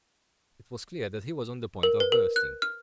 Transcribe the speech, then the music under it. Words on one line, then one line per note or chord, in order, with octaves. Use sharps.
It was clear that he was on the point of bursting.
A#4
B4
A#4
F#6
F6